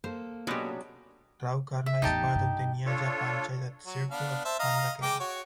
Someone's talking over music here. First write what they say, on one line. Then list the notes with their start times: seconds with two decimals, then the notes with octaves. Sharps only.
Rau Karna is part of the nyaya panchayat circle of Banda Khera.
0.04 A#3 A4 C5
0.47 B2 F#3 G#3 C#4 D4 G4
1.86 E5
2.02 A1 E2 D#4 G4 A5
2.35 G2
2.86 D4 F4 A4 C#5
3.86 F#3
4.11 B3 D4 F5
4.45 C5 E5 A5
4.60 D#5 F5 A#5
5.02 G#3 G5 D6
5.20 F#4 C#5